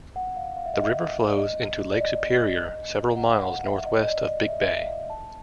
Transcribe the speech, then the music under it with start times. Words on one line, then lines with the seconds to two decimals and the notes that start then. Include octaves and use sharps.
The river flows into Lake Superior several miles northwest of Big Bay.
0.16 F#5
0.36 F5
0.56 F5
0.66 E5
0.74 D#5
0.82 E5
1.28 D5
1.39 D#5
1.92 D5
2.01 D#5
2.31 D#5
3.16 F#5
3.24 F5
3.45 F#5
3.66 E5
3.86 D#5
4.03 D#5
4.07 D5
4.23 D5
4.27 D#5
4.48 E5
4.59 D#5
4.63 E5
4.79 F5
5.10 A5